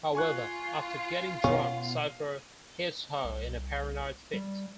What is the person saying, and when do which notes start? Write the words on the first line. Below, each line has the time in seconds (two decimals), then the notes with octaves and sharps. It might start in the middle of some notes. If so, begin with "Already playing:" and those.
However, after getting drunk, Cypher hits her in a paranoid fit.
0.15 F4 G#5 C#6 F#6
1.44 B2 B3 C#4 F5
3.25 C2
4.33 G3